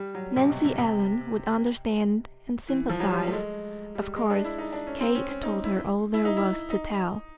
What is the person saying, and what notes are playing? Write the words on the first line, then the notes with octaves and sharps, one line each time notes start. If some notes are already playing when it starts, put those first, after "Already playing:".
Nancy Ellen would understand and sympathize; of course Kate told her all there was to tell.
Already playing: G3
F#3
C3
B2
C3
C3
E3
F3
F#3
G3
A3
G#3
G3
G#3
D4
E4
D#4
D4
C#4
C4
C#4
C#4
D#4
E4
E4
D#4
E4
D#4